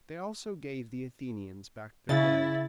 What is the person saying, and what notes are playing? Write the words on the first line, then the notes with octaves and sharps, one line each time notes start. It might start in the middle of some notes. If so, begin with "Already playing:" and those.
They also gave the Athenians back their dead.
C#3 E4 A6